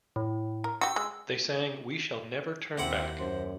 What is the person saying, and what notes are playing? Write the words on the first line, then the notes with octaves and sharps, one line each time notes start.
They sang, We Shall Never Turn Back.
A2
A#4
F#4 G4 E6
G#3
D#2 A#3 C4 E4 F#5
F#2 C5